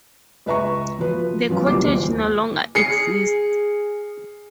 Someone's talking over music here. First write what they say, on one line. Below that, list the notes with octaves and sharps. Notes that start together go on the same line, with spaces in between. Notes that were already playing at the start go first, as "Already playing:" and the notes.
The cottage no longer exists.
C#2 B4 E5 A#5 C#6
F3 F#4 B4
F3 F#3 B3 C#4 F4
F#1 C2 D6 C7
D#1
G#4 C7 C#7